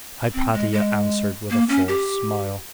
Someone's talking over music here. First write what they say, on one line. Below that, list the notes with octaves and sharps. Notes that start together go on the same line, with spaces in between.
Hypatia answered with a forced smile.
C4
G#3
G#3
A#3
C#4
G4